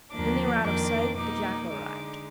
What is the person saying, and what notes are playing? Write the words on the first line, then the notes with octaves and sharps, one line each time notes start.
When they were out of sight the jackal arrived.
D#2 D3 F3 A#3 D4 D6
F2 D#3 A#3 D4 D6
B2 A#3 D#4 D6
D3 G#3 D#4 D6